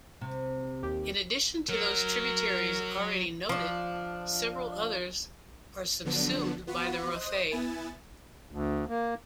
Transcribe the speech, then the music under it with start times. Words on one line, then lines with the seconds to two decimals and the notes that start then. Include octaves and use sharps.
In addition to those tributaries already noted, several others are subsumed by the Rothay.
0.21 C3
0.82 D#2 G4
1.69 F#3 A#4
3.49 F3 D4
6.05 D3 F3 F#3 B3 D4
6.67 B3 F4 F#4 F#5 B5
7.10 C5 D#5 D#6 F#6
7.50 B3 E4 G#5 A6 E7
8.51 D2
8.88 A#3